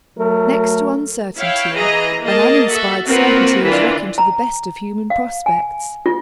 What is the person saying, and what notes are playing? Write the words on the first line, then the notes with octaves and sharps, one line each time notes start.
Next to uncertainty, an uninspired certainty is wrecking to the best of human prospects.
F#3 A3 A#4
E4 C#5 F5 G5
E3 G#4 D#5 A#5
A#3 G#4 A#4 D#5 A5
F#4 A4 E5
A#3 C4 F4 F#4 A#4 B4
D#3 E3 D4 E4 F4
A#5
F5
G#5
F4